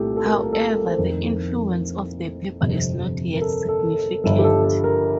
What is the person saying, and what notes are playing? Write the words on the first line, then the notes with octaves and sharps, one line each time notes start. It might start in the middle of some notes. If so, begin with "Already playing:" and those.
However, the influence of the paper is not yet significant.
Already playing: C2 A#2 A3 G4 A4
A4
A#4
A4
A#4
A4
A#4
A4
C5
F1 F2 D#3 A#4
G1 F2 C3
A#4
A4
A4
A4
G1 G2 F3 A4
G4
A4
A4
A#4